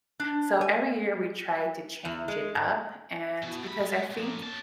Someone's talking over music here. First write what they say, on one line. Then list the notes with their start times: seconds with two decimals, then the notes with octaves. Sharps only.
So, every year we try to change it up. And because I think
0.20 D4
0.61 G#5
2.05 E2
2.28 G#3
2.55 G#2
3.42 B2
3.64 D2 B5
3.81 G#3
4.18 F3 A#3
4.42 C#4 A5